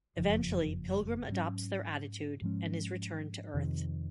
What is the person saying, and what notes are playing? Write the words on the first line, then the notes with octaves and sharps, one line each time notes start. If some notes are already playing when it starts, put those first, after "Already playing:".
Eventually Pilgrim adopts their attitude and is returned to Earth.
F#1 F2 C#3 F3
G#2 F#3 C#4
G#2 F3 G#3 C#4
F2 C3 D#3